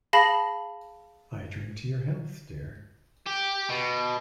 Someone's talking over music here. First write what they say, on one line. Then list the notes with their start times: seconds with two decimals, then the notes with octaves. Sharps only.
I drink your health, dear.
0.13 G#4 F5 A5 B5 A#6 F#7
3.27 G4
3.70 B2